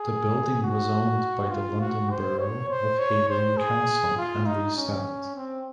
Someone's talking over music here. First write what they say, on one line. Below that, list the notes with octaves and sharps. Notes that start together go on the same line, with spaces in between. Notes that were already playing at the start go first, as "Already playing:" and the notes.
The building was owned by the London Borough of Havering Council and leased out.
Already playing: G#4
F#4
F4
F#4
C5
C#5
C5
C#5
C5
G#4
F4
D#4
C#4
C4